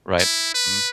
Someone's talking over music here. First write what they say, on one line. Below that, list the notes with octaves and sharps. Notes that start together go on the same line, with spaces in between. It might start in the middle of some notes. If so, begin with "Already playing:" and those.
Right. Mhm.
E4
B4